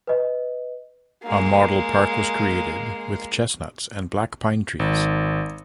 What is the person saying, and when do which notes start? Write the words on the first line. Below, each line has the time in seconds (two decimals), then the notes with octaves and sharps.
A model park was created with chestnuts and black pine trees.
0.07 B4 D#5
1.23 G#3 A#3
4.79 G#1